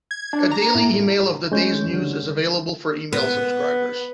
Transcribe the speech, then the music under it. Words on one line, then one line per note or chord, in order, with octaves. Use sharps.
A daily email of the day's news is available for email subscribers.
G#6
D4
A#5
A2
G#3 A3 C#4 C#5 G6
D3 G3
B3